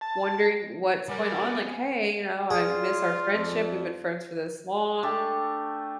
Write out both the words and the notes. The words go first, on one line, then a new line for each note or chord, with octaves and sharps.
wondering what's going on, like, "Hey," you know, "I miss our friendship, we've been friends for this long.
A5
G3 A#4 B4 D5 G#5
B3 C4
F4 G#4 D5
F2
A3 D4 G4 A5